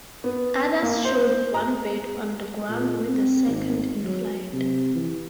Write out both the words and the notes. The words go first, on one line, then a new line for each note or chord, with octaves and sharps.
Others showed one bird on the ground with the second in flight.
B3
A#3
C5
A#5
A#2
C4
G#1
F#3
C3
E3